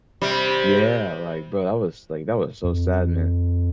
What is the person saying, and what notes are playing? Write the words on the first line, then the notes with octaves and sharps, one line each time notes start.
Yeah. Like, bro, that was, like, that was so sad, man.
C3 G3
F2